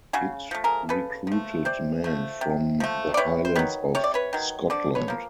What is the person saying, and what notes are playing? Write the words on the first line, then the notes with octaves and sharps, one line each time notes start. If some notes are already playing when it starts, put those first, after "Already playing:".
It recruited men from the Highlands of Scotland.
C#3 F#4 G#4
F3 A3
G#4 A#4
C#3 A4 B4
F3 A3
C3 C5 D5
F3 A3
C3
F3 A3
D5
C3 B4 C#5
C5
D#3 F#3 B4 C#5
C3 C#5
D5
B4 C#5
D#3 F#3
D3 C5 D5
B4 C#5
F3 A#3